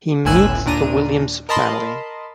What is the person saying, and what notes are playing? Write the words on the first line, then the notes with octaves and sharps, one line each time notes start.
He meets the Williams family.
G1 C#2 A2 G#5 E6 F#6
D#2 A#2 D4 A#5 D#7
A#4 D#5 A5 B5 C6